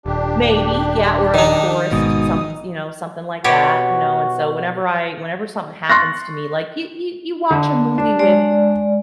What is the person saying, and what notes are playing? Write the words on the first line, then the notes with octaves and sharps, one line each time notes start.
Maybe, yeah, or a forest, some s you know, something like that, you know, and so whenever I whenever something happens to me, like you you you watch a movie with
D#1 D4 G4
D#3 D#4
G#1 G#2 B2 D#6
B2 F#4 G4 C#5
C6 C#6 F#6 A6 A#6
D3
D4
G#3 D5